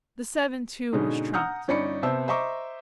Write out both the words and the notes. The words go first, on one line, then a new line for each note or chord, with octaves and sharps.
The seven too was trumped.
G#2 B2 D3 G#3 C#4 D#4
F#5 A#5 D#6 F6 G6
G1 C#4 D#4 D5 B5 C#7
C3 B3 C5 E5 A5 E6
C5 D#5 E5 A#5 C#6 D6